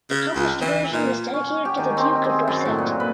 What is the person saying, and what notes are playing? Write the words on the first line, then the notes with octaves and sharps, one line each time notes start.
The published version was dedicated to the Duke of Dorset.
C#3
C#2
E3
A#2
C#4
G4
D#3
C4
G#4
F#2
A2
A#2
B4